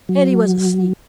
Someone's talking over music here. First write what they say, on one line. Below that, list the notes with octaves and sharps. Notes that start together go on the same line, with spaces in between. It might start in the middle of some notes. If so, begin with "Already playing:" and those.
Elly was asleep.
F#3